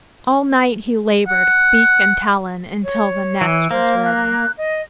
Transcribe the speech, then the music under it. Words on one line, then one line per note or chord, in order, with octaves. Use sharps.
All night he labored, beak and talon, until the nest was ready.
F#5
C#5
E3
A#3 C5
F#6
D#5